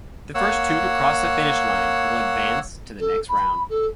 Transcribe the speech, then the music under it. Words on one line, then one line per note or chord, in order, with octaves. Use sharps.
The first two to cross the finish line will advance to the next round.
A#3 C#5 F#5 E6
A4
B5
A4